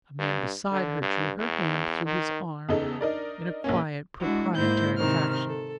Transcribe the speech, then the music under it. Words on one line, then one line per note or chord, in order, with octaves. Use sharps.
A man beside her drew her hand through his arm in a quiet proprietary fashion.
G2
D3
G2
E2
D#3
E2 C#3 D#4 A4
D4 D#4 A#4 D5
A#1 A#3 C#4
G#3 D4 E4 F#4
G#2 A#3 E4 C5 G6
C3 D#3 C5 F6
A4